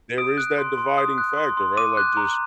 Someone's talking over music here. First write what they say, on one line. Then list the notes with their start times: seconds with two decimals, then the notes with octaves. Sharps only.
there is that dividing factor, right, like, just
0.18 D#6 D7
0.38 F#6
0.58 C6
0.78 C6
0.98 D#6
1.18 F#6
1.37 C6
1.57 C6
1.77 D6 D#7
1.97 F#6
2.17 A#5